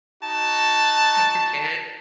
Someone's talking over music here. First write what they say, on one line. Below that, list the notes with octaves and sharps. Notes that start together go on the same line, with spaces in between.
Take your kid.
D#4 F#4 A5